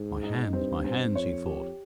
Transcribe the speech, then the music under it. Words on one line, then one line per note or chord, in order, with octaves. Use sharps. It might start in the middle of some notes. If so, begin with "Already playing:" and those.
"My hands, my hands," he thought.
Already playing: G#2
D#4
G2 C4
C4
F2 C#5
G4